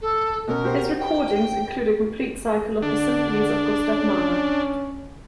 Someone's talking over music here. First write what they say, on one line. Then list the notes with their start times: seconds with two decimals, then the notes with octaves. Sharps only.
His recordings include a complete cycle of the symphonies of Gustav Mahler.
0.01 A4
0.48 B2 C#4 A#4
0.64 F#4 G4 C5
0.99 G5
2.83 D3 D4
3.95 C#4